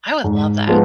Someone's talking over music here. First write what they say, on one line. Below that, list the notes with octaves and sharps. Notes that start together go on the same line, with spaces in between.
I would love that.
G#2
F3 G#3 B3